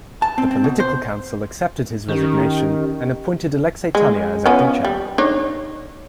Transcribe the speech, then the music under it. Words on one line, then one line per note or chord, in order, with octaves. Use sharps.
The political council accepted his resignation and appointed Aleksei Tania as acting Chairman.
A5
C4
C4
B2
C5
D#3 C#4 G4
G#3
F3 B3 C#4
G3
D4 D#4 C#5